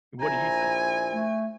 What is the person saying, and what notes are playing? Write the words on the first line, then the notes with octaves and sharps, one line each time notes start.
What do you think?
A#1 E4 C5 G#5 A#5
A3